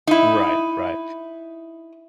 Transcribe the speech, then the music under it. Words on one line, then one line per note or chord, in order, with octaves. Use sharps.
Right, right.
D#4 E4